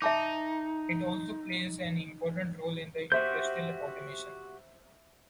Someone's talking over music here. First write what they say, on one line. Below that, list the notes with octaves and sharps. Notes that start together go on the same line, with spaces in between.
It also plays an important role in industrial automation.
D#4 E5 A5 D6
F#4 G4 C5 E5 G6